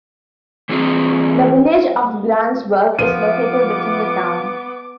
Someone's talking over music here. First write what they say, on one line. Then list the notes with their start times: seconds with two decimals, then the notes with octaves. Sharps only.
The village of Grantsburg is located within the town.
0.69 E3 C4 F4 G#4
2.99 F3 B3 D6 D#7